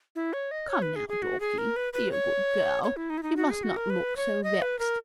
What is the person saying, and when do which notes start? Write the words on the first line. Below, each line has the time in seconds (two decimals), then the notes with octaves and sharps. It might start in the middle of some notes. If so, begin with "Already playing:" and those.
Come now, Dorkie, be a good girl--you must not look so vexed.'
0.15 E4
0.33 C#5
0.51 D#5
0.69 C#5
0.82 B4
0.96 G#4
1.09 G#4
1.22 F#4
1.40 G#4
1.58 A#4
1.76 B4
1.93 B4
2.12 C#5
2.84 C#5
2.97 E4
3.10 D#4
3.18 E4
3.23 D#4
3.37 F#4
3.51 G#4
3.63 F#4
3.76 A#4
3.90 B4
4.17 C#5
4.43 D#5
4.62 B4
4.79 A#4